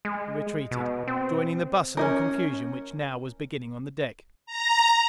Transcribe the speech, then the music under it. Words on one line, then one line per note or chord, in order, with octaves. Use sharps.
He retreated, joining the bustle and confusion which now was beginning on the deck.
G#3
B2
C4
C#4 D#4 A#4
A#5